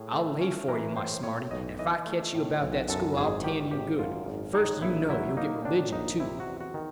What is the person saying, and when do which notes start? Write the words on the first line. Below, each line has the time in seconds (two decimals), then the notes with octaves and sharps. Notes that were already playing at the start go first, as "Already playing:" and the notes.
I'll lay for you, my smarty; and if I catch you about that school I'll tan you good. First you know you'll get religion, too.
Already playing: A2 G#4
0.13 A3
0.41 C#4
0.68 E3 A#4
0.97 A2 C5
1.23 A2 C#5
1.51 B1 D#5
1.79 E3 D#5
2.06 A3
2.35 A2
2.62 B1
2.89 F#2 A4
3.17 G#1 G#4
3.44 D#3 G4
3.71 G#1 G4
3.99 F#2 F4
4.26 G#1
4.54 A2 D#4
4.81 A#1 E4
5.09 F#3 E4
5.37 A#3 D#4
5.65 A2 D4
5.92 A#1 D#4
6.20 C3 E4
6.40 F#4
6.47 E2
6.60 F#4
6.74 D#3